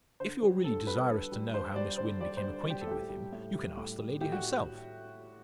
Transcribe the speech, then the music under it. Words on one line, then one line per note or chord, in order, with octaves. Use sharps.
"If you are really desirous to know how Miss Wynn became acquainted with him, you can ask the lady herself."
D3 C5
G3
D3 A4
G3 B4
D3
G3
D3 C5
G3 D5
D3 C5
G3 D5
C5
D3
G3
G4
A4
A2 G4
G3
A2
G3
A2
G3
A2 G4
F#4